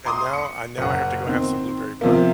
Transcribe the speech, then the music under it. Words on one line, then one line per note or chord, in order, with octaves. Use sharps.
And now, I now, I have to go have some blueberry pie.
A#5 C6 D6 D#6
C#7
F#1 F#5
D#3 C4
C3 F3 A#3